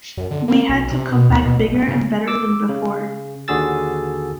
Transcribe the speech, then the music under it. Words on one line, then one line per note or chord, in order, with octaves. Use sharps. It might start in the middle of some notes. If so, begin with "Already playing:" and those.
We had to come back bigger and better than before.
F#2
D3
A#3
B1
C3
B2
D#2
B2
B1
G2
C#3
D6 E6
C#3
D#2 D3 F#4 G#4 E6 A6